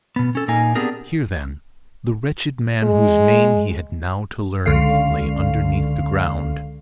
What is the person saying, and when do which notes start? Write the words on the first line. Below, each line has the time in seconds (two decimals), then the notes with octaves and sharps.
Here, then; the wretched man whose name he had now to learn, lay underneath the ground.
0.16 B2 B3
0.35 C#4 A4
0.48 A#2 A#3 D#4 G#5
0.75 B3 C4 D4 G4 G#4 A#4
2.83 G#3
4.66 C#2 D3 F5